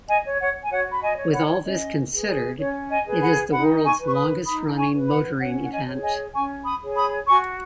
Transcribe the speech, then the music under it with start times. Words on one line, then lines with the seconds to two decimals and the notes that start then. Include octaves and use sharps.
With all this considered, it is the world's longest running motoring event.
0.08 D#5 G#5
0.24 C#5
0.39 C#5 F#5
0.62 G#5
0.71 F#4 C#5 F#5
0.93 B5
1.02 D#5 G#5
1.18 C#5
1.33 F#5 B5
1.65 C#4 D#5
2.11 G#4 B4
2.59 C#4 C#5
2.90 D#5 G#5
3.05 G#4 B4
3.21 F#5 B5
3.52 D#4 F#5 B5
3.83 G#5 C#6
4.00 B4
4.06 C#6
4.15 B5 D#6
4.46 D#4 B5 D#6
4.77 G#5 C#6
4.93 B4
5.08 F#5 B5
5.40 C#4 C#5 F#5
5.64 F#5
5.71 D#5 G#5
5.86 G#4 C#5
6.03 D#5 G#5
6.33 C#4 G#5 C#6
6.65 B5 D#6
6.81 G#4 C#5
6.97 B5 D#6
7.27 F#4 G#5 C#6